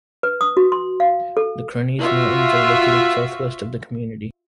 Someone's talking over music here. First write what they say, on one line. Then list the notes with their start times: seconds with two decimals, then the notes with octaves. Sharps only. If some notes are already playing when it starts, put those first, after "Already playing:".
The Cronese Mountains are located southwest of the community.
0.23 B4
0.41 D#6
0.57 F#4
0.72 C6
1.00 F5
1.37 A4
2.01 F4 F#4 E5